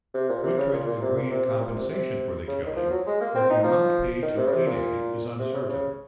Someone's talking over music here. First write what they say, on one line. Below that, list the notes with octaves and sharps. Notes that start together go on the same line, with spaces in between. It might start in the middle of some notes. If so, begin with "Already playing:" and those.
Wihtred agreed compensation for the killing, but the amount paid to Ine is uncertain.
C3
A#2
C3
C#3
A#2
A#2
C3
A#2
C3
C3
A#2
C3
C3
C#3
D#3
F3
F#3
G#3
A#3
C4
D#4
F3
D#3
C3
C#3
C3
A#2
C3
C#3
C3
C#3